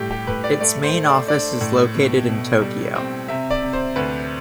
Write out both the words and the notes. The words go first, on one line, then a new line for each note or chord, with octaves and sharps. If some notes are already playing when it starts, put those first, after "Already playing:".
Its main office is located in Tokyo.
Already playing: A2 G3 G4
G4
A2 B4
D5
A3 D5
C5
A3
D5
D4 D5
A2
B2
B2
G3
C4
C3 E5
D5
C3
C5
D2 B4